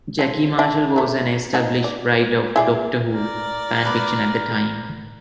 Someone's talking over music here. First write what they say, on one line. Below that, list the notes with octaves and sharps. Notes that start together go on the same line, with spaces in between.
Jackie Marshall was an established writer of "Doctor Who" fan fiction at the time.
F3 F#3
D4 E4
F#3 A3
F3 D#4 F#5
D5
E4 G#4 D5
A#4 D5
B4 B5 D6